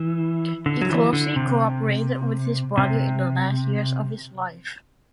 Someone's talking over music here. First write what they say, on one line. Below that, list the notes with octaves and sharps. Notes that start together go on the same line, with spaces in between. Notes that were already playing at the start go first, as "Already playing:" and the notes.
He closely cooperated with his brother in the last years of his life.
Already playing: E3
D3
F#3
E3
D3
C3
C3